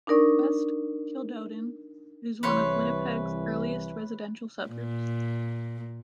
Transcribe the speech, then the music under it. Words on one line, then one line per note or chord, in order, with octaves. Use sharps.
West Kildonan is one of Winnipeg's earliest residential suburbs.
D4 D#4 A#4 D5 C#6
C2 E3 B4 C#5 C6
A#2